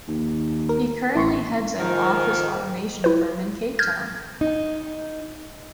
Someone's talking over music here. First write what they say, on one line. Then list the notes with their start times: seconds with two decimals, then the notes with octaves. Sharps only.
He currently heads an office automation firm in Cape Town.
0.08 D#2
0.69 A#4
1.15 A1 E4 C6 C#6
1.80 G#2 D#3 F3 A#4
3.04 E4 B4
3.79 F6 G6 G#6
4.41 D#4